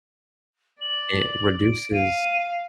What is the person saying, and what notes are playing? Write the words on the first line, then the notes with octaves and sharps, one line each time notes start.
it reduces
D5 F#7
D7
F5 D#7